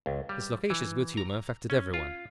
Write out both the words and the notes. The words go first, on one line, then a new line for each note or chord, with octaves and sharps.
His loquacious good-humour infected everyone.
C#2
G3
E3
A#5
C#4
F4